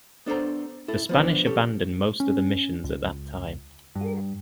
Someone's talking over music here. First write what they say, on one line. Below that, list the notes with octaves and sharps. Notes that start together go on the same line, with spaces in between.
The Spanish abandoned most of the missions at that time.
B3 D4 A4 C5 A#5
E4 A4
F3 B3 D4
C#4 G4 A4
C#4
C#2
G2